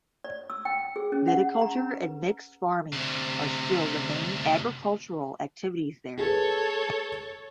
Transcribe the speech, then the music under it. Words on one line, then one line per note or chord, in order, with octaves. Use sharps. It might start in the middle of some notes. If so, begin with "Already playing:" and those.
Viticulture and mixed farming are still the main agricultural activities there.
D5
E6
G5
G#4
C#4
F#5
A#5
B4
D2 C3
G#4 A4 B4 C#5